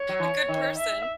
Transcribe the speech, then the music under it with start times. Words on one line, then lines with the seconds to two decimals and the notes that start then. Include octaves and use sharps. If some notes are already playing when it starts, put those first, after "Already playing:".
A good person.
Already playing: C#5
0.09 F#3
0.20 E3
0.48 D#3
0.78 E5